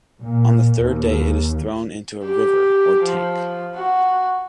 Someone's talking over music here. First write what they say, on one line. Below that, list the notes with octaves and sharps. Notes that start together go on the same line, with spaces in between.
On the third day it is thrown into a river or tank.
A#2
D#2
G4
F3
F#4